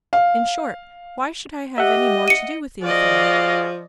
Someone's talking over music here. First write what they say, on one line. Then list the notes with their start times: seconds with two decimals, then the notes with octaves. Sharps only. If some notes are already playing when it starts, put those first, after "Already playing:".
In short, why should I have any more to do with the affair?
0.13 F5
1.78 G4 D#5 E5 F#5
2.28 C#7 D#7
2.82 F3 F#4 G#4 D5 D#5 F5